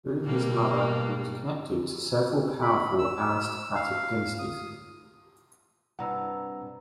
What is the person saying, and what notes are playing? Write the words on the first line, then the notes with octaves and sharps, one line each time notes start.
Through his mother, he was connected to several powerful aristocratic dynasties.
B2 G3 A#3
B5
E6
F5
D#6
G2 C3 F#5 A#5 E6